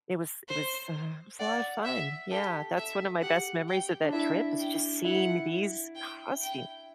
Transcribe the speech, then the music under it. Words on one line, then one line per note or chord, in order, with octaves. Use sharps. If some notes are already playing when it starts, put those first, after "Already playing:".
it was it was, uh it was a lot of fun yeah, that's one of my best memories of that trip is just seeing these costume
C5
D5 F#5
E5
G4 A4
E5
G4 F#5
G5
D4
E4 E5
G5
E4 F#5
G5
G5